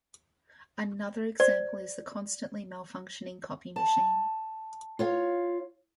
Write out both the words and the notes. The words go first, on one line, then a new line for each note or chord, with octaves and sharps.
Another example is the constantly malfunctioning copy machine.
C5 D5
A5
F4 C#5 F5